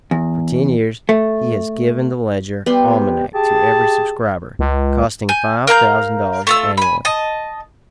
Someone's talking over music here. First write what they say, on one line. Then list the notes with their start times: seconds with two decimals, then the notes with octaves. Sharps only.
For ten years he has given the "Ledger Almanac" to every subscriber, costing five thousand dollars annually.
0.11 E2
1.09 A3
2.66 G3 B3 G4 C6
2.88 C3
3.34 G4 G#4 A5
4.59 C#2
5.29 G#5 G6
5.67 A#4 F5 A#5 G6
6.47 A3 F4 E6
6.78 G#5 B5
7.05 D#5 A5